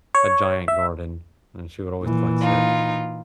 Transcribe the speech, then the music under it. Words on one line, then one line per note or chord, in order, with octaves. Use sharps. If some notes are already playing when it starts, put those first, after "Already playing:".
a giant garden, and she would always flex it.
C#5
E5
A#2 E3
D#4 F4